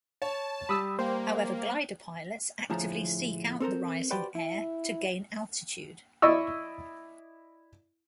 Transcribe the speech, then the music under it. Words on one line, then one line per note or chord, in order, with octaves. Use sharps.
However, glider pilots actively seek out the rising air to gain altitude.
C#5 A5
G3 B5 D#6 E6
A#3 C5 G5
A2 D3 F3 G#4 A5 A#5
C4 A4 A#4 C5
F#4 G4 B4 C5 D5 G5
E4
E4 D5 D#5 C#6 E6